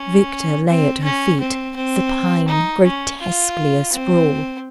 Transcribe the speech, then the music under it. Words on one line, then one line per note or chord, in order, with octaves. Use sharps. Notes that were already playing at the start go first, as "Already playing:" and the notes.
Victor lay at her feet, supine, grotesquely asprawl.
Already playing: C#4
C4
C#4
C4
C4
D#4
C#4
F4
C4